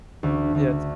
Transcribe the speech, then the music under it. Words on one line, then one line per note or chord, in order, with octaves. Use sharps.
Yeah, t
D2
D2